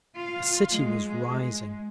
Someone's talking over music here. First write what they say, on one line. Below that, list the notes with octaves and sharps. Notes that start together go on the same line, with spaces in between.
The city was rising.
F4 F5
G#3